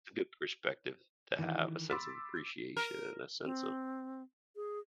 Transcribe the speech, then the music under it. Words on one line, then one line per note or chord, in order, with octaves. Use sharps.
It's a good perspective to have a sense of appreciation and a sense of
D#3 E3
B5 C6 D6 E6 A6 B6
A#4
C4
G#4